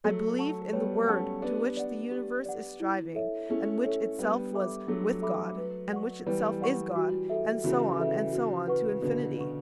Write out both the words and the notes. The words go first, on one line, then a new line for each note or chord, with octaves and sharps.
I believe in the Word to Which the universe is striving, and Which Itself was 'with God,' and Which Itself is God and so on, and so on, to infinity.
F#3 A3 C#5
F#5 A5 C#6
G3 B3 C#5
A3 C#4 F#5 A5 C#6
B3 D4 G4
D5 F#5
G4
D5 F#5
E4
A4 C#5 E5
A3 C#4 E4
A4 C#5 E5
G3 B3 D4
A4 E5 B5 D6
F#3 A3 D4
A4 E5 B5 D6
B4
D5 F#5 C#6
E3 G3 B4
D5 F#5 C#6
F#4
A4 E5
C#3 E3 F#4
A4 E5
F#4
B4 F#5 C#6
B2 D3 F#4
B4 F#5 C#6